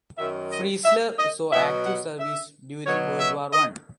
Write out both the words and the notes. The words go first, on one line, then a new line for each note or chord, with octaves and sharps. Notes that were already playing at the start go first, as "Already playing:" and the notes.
Freisler saw active service during World War One.
F#2 D#3 F#3 E5
D#5
E5
D#5
B2 F#3 E5
F#5
E5
B2 F#3 C#5
E5
D#5